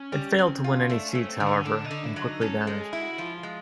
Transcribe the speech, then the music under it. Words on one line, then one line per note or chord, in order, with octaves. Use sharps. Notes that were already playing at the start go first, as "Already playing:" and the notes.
It failed to win any seats, however, and quickly vanished.
Already playing: C#4
G3
C4
F4
A3 D4
C#4
A3
C4
D3
C#4
D3 D4
D#4
D3
E4
F#3
D#4
C#4 A4
A4
G#3
G#4
E4
F#4
F3 F4
G#3